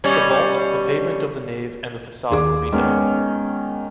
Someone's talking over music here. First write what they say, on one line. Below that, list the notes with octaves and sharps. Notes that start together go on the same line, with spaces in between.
The vault, the pavement of the nave and the facade were redone.
B2 G3 C#4
D#2 G#4 D6
D#3 G#3 B3 C#4